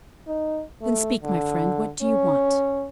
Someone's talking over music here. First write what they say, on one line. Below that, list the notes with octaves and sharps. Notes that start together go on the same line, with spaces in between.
"Then speak, my friend; what do you want?"
D#4
A3
D3
C#4